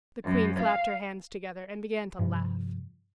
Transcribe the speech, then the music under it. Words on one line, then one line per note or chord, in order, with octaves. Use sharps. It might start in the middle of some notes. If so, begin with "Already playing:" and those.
The queen clapped her hands together, and began to laugh.
F#2
F5
G2 C3 F3